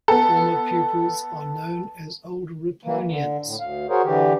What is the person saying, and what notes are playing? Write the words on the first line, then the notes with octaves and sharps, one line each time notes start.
Former pupils are known as Old Riponians.
B3 A4
E3 A#3
D3
A2
D2 F5
F#4 G#4 A#4 C5 C#5
D3 E3 G4